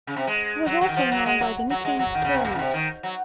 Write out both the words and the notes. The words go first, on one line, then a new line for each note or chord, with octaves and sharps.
He was also known by the nickname 'Colonel'.
C#3
C3
G#3
F#3
F#3
D#3
F3
F#3
G#3
F#3
F#3
G#3
F#3
D#3
C#3
C3
A#2
C#3
C3
D#3
F#3